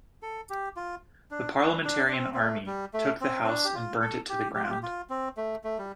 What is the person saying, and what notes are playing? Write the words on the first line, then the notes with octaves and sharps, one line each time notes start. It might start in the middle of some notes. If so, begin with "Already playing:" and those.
The Parliamentarian army took the house and burnt it to the ground.
A4
G4
F4
D4
D4
D4
D4
C4
C4
A3
G3
A3
C4
C4
D4
G4
F4
A4
G4
G4
F4
G4
F4
C4
A3
A3
G3